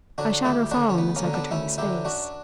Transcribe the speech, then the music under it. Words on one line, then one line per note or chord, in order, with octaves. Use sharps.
A shadow fell on the secretary's face.
D3 F#3 D4 F#4
D2 E4 G4
D3 F#3 D4 F#4
C#4
D2 B3
A#3 C#4
D3 F#3
B3 D4
D2 C#4 E4
D3 F#3 E4 G4
F#2 D4 F#4